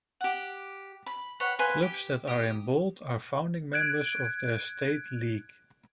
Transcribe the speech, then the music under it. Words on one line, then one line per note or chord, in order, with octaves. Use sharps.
Clubs that are in bold are founding members of their state league.
G4 F#5
B5
B4 C#5 F#5 G5
B4 F5 G#5 C6
G4
G4 D#6
F#6 G#6 D7